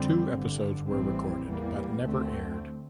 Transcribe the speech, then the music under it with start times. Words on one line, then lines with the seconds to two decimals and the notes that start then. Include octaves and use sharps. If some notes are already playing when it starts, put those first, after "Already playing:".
Two episodes were recorded but never aired.
Already playing: F2 D3 G3 C4
0.29 G1 G2 D3
0.88 A1 A2 E3 G3 C4
1.45 E2 E3 G3 A#3
2.03 D2 D3 A3 C4